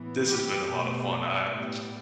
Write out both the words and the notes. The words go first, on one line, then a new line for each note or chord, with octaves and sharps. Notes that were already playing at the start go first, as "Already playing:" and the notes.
This has been a lot of fun, I I don't
Already playing: A2 E3 B3
G4
B2 A3
A2 G3 B3